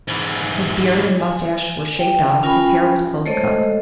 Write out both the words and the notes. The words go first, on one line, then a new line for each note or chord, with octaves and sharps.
His beard and mustache were shaved off; his hair was close cut.
G#2 E3
G#5
G5
C#4 F4 A#4 G5 G#5 B5
G#3 A3 A4 C5 C#5 D#5